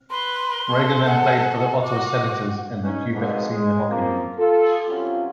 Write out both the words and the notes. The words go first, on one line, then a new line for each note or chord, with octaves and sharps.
Regan then played for the Ottawa Senators in the Quebec Senior Hockey League.
B4 C6
A4
F#5
F#4 D6
C#4 D#4
F2 G#2 B2 G#3
G#3
F3 A#3 C4
F4 A4
C3 F#3 G3 C#4 F4